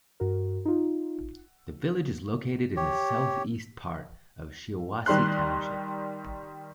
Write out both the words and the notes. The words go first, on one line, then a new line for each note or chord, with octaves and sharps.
The village is located in the southeast part of Shiawassee Township.
G2 F#4 A#4
D#4 F4
G4 C#5
D#3 G3 C6 F#6